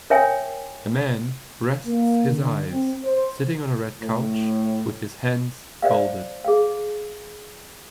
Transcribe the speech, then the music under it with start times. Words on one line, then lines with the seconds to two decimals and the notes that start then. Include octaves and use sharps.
A man rests his eyes, sitting on a red couch with his hands folded.
0.10 A#4 C#5 E5 G5 G#5
1.86 A#3
2.27 D3
2.69 C4
3.04 C5
4.01 A2
5.82 C5 D5 E5 F5
6.44 G#4 F5